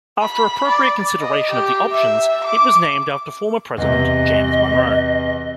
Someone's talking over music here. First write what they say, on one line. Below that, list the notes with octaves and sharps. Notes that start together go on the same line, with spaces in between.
After appropriate consideration of the options, it was named after former President James Monroe.
B5
D5
D#5
G4
E5
D6
E2 C3 D#5